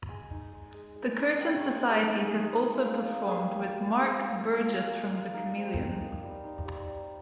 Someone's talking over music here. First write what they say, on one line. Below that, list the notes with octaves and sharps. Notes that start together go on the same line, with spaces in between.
The Curtain Society has also performed with Mark Burgess from The Chameleons.
G#3 G#5
D#4
G#3
G#3
G#3
D#4
D#4 G5
C#5
G#3
D#4
G#4
G#3
G#3
G#3
F4
A#3
A#3
G#4
A#3 G4
F4
A#3
F4 G#4
F4
F4
F4
A#3
F4
D#4 A#4
C4
D#4
D#4
G3
D#4
G3
G3